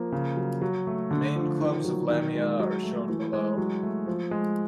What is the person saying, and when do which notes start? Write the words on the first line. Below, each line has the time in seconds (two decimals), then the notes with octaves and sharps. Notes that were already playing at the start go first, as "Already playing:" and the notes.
The main clubs of Lamia are shown below.
Already playing: F3 A#3
0.12 C#3
0.37 F#3
0.62 F#3
0.87 A3
1.11 D3
1.36 F3
1.60 D#3
1.85 F#3
2.10 D#3
2.35 G#3
2.60 F#3
2.83 A3
3.09 E3
3.33 G#3
3.58 F#3
3.83 A3
4.07 F3
4.31 G#3